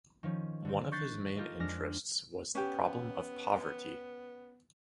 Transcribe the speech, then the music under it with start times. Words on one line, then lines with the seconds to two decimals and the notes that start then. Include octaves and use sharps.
One of his main interests was the problem of poverty.
0.23 D#3 F3 C#4
0.65 D3 D#3 C4
0.92 C#6 F#6 G6 A6 B6 C7
1.36 F4 G4 A4 A#4 D#5
1.60 F2 G#3 D4 F6 A#6
2.55 B3 C#4 G4